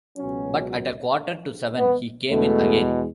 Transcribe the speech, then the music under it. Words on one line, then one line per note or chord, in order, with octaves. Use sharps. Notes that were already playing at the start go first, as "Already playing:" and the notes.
But at a quarter to seven he came in again.
C#2 B2 F#3 C#4
B3
E2 B2 G#3 A3